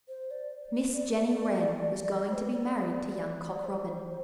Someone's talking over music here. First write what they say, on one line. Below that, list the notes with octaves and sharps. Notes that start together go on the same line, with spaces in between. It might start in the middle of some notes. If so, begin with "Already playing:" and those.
Miss Jenny Wren was going to be married to young Cock Robin.
C5
D5
D5
D5
C5
B4
D5
D5
D5
C5